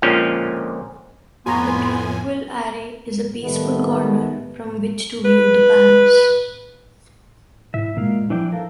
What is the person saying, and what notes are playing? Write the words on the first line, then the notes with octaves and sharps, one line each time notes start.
The tranquil array is a peaceful corner from which to view the palace.
A#2 D3 F3 G#3 C4 C#4
F2 A2 B3 F#4 G#5 A#5 C6
D#3 G3 A3 B3
B4
G#2 E4 E5
A#2 G#3 A#3 F5
E3 F3 D4 E4 G5
A4 A#4 F5